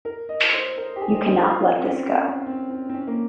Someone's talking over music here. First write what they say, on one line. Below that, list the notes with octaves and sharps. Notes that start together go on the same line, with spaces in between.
You cannot let this go.
A#4
D#5
C5
A#4
G4
G#4
F4
C4
C#4
C#4
C4
C4
C4
C#4
A#3